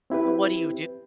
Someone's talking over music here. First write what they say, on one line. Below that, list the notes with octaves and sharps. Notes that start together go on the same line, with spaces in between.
what do you,
C4 E4 G4 B4